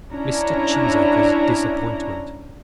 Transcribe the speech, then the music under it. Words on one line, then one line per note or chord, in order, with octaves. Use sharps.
Mr. Cheesacre's Disappointment.
C#4 D4 E4 A#5